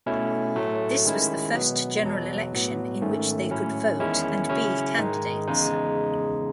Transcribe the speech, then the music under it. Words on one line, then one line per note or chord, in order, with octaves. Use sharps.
This was the first general election in which they could vote and be candidates.
B2 A3 C#4 E4
A2 F#3 A3
D#3 G#3 C#4 E4
B2 F#3 B3
E2 B2 F#3
A2 F#3 B3
G#2 D#3 A3 C#4
A2 F#3 C#4 E4
E2 D#3 G#3 C#4 E4
C#3 F#3 C#4 E4
G#2 D#3 G#3 D#4
E2 C#3 G#3 D#4